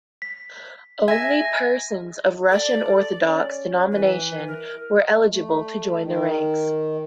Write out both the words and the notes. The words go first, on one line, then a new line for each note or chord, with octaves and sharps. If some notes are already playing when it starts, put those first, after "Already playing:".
Only persons of Russian Orthodox denomination were eligible to join the ranks.
B6
E5 G#5 G#6 A#6
A#6
A4 D5
C#4
E3 B4
A#4
A3
D#3